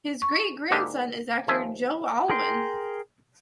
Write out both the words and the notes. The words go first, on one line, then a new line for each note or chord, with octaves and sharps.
His great-grandson is actor Joe Alwyn.
C#6
G#2 D3 A#3 D4 D#4
D#2 F3 E5 G#5
G#4 A#4 G5 C6